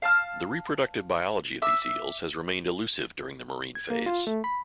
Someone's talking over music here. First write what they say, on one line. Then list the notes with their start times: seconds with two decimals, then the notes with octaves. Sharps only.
The reproductive biology of these eels has remained elusive during the marine phase.
0.02 F5 A5 F6
1.62 E5 D6 E6
3.75 G#6
3.90 A#3
4.06 F4
4.27 A3
4.44 B5